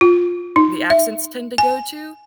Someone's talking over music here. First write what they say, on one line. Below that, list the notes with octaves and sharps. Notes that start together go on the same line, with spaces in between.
the accents tend to go to,
F4
D#4
E5
G#5